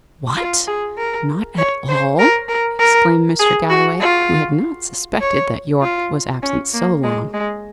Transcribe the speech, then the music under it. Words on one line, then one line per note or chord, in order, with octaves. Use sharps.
"What! not at all?" exclaimed Mr. Galloway, who had not suspected that Yorke was absent so long.
F4
G#4
A#4
C#5
C5
A#4
A#4
A#4
G#4
F#4
F4
C#5
F4
C#4
A#3
G#3
G#3